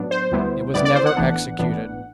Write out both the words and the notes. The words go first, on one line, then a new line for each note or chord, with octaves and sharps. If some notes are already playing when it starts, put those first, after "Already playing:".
"It was never executed."
Already playing: A2 F#3 B3 D4
C5
D2 D3 G3 B3 E4
D2 D3 G3 B3 E4 D5
D5
C5
F#5
A1 A2 E3 B3 D4
A1 A2 E3 B3 D4